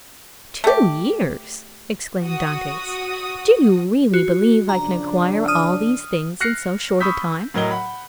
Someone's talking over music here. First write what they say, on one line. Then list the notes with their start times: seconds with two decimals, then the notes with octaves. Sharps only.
"Two years!" exclaimed Dantes; "do you really believe I can acquire all these things in so short a time?"
0.64 A3 G4
2.23 F#4 D#6
4.14 F#4
4.69 C#3 F3 D4 A#5
5.48 D#6 F6 D#7
6.40 F6 F#6 A#6 C7 C#7
7.00 B5 C#6 D#6 E6 G6 B6
7.54 A2 F#3 A#4 D#5 G7
7.71 F#5 B5